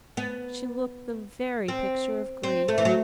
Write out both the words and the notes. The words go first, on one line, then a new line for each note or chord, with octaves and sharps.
She looked the very picture of grief.
B3
C4
C4
A3
E3
F#3